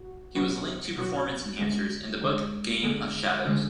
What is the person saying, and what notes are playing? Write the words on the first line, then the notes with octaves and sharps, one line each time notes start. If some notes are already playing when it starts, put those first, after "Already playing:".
He was linked to performance enhancers in the book "Game of Shadows".
Already playing: F#4
B2 F#3 B3 F#4
B2 F#3 B3 F#4
D2 D3 G#3
D2 D3 G#3
D2 D3 G#3
D2 D3 G#3